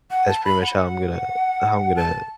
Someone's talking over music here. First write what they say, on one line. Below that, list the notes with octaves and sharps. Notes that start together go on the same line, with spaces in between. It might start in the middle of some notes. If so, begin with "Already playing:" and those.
that's pretty much how I'm gonna how I'm gonna
F#5
A5
B5
F#5
A5